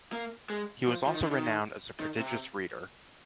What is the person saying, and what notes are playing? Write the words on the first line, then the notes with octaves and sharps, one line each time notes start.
He was also renowned as a prodigious reader.
A#3
G#3
F3
F3
D#3
D3
D#3
D#3
C3